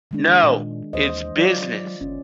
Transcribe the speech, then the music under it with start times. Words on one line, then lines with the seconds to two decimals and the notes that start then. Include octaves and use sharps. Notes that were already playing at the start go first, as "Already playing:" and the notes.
No, it's business.
0.11 D#3 G#3 D4
0.43 A#2
0.93 D#2 E3 C5 D#5
1.37 F#3 F4 D5
2.01 G1 C#4